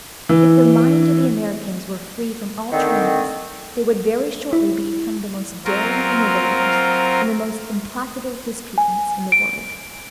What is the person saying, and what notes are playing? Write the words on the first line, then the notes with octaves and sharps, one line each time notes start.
If the mind of the Americans were free from all trammels, they would very shortly become the most daring innovators and the most implacable disputants in the world.
E3
D3 D#3 C4
E4
F#3 C4 F4 A#4
G#5
D7